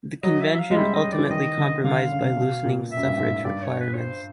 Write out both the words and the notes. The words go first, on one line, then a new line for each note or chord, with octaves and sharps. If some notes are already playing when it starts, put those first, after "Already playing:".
The convention ultimately compromised by loosening suffrage requirements.
F#3 D#5
E5
E5
F5
G#3
G3 E5
D#5
D5
E3
D#3 D#5
D3
D3 F5
C#3
C3
B2
A#2
E5
F#2
G2
G#2
G2 D5
C#5
B4
C#5
C5